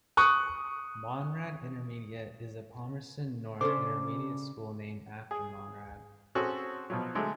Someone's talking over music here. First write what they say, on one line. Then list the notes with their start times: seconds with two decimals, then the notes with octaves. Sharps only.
Monrad Intermediate is a Palmerston North intermediate school named after Monrad.
0.17 C#6 D#6 F#6
3.61 C#3 C#4 D4 A4 C5 D6
5.31 G#4
6.35 C4 C#4 F#4 G#4 A4
6.90 B2 F3 F#3
7.15 D3 F#3 G#3 A3